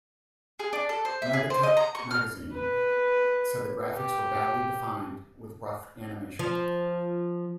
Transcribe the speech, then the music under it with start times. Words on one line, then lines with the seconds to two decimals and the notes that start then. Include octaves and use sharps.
"MegaTech" magazine said the graphics were "badly defined with rough animation".
0.59 G#4
0.73 D4
0.89 A4
1.05 C5
1.22 E5
1.33 G#4
1.50 C5
1.63 D#5
1.77 A#5
1.95 C#6
2.11 F6
2.53 B4
3.97 G4
6.39 F3